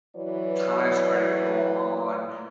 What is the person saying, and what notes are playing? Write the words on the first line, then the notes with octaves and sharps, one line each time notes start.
time started to go on,
E3 F#3 B4 C#5 D5